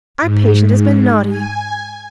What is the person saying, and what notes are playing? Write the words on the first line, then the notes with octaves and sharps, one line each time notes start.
'Our patient has been naughty!
G#2
G#5